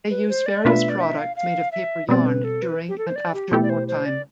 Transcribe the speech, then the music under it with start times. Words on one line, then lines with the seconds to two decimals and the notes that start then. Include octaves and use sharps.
They used various products made of paper yarn during and after wartime.
0.10 B4
0.29 C5
0.46 D5
0.65 B2 A3 D4 F4 B4 E5
0.89 D5
1.01 E5
1.18 F5
1.36 F5
1.72 E5
2.08 B2 G3 C4 D5
2.26 B4
2.44 A4
2.62 B4
2.89 G4
2.98 A4
3.07 C5
3.16 D5
3.34 G4
3.51 B2 A3 E4 G4 A4
3.63 D5
3.70 C5
3.88 C5
4.05 D5